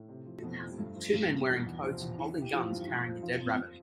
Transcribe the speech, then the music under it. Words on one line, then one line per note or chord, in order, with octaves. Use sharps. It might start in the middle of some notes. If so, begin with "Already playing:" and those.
Two men wearing coats and holding guns carrying a dead rabbit.
Already playing: A2 A3
C3
F3
A3
F2 B2 B3
F2
G3
G2 A3
F3
G2
G2
E2 B2 B3
E2
C3 F3 C4
E2
E3 E4
E3
G4
E3 F3 F4
G2
F3
F2
F3 F4
F3